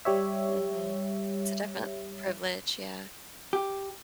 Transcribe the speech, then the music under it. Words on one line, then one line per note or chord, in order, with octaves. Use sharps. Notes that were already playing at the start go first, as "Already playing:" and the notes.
Mhm. It's a definite privilege, yeah.
G3 G4 C#5 E5
G4